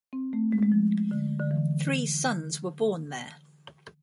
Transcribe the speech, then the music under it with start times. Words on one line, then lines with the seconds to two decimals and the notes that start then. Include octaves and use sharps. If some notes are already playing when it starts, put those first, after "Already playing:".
Three sons were born there.
0.13 C4
0.33 A3
0.52 G#3
0.63 G#3
0.72 F3
1.11 D3
1.40 D3
1.51 E3